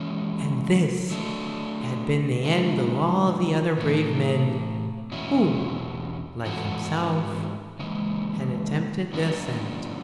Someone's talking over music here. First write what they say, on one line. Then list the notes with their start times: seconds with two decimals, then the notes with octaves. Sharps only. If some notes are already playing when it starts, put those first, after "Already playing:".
And this had been the end of all the other brave men who like himself had attempted the ascent.
Already playing: E3 G#3 C#4
1.10 F#3 A3 D4
2.44 C#3 G#3 D4
3.78 A2 E3 A3
5.12 E2 B2 F#3 C#4 E4
6.45 G#2 E3 B3 F#4 A4
7.79 C#3 E3 G#3
9.13 F#2 C#3 F#3 B3 D4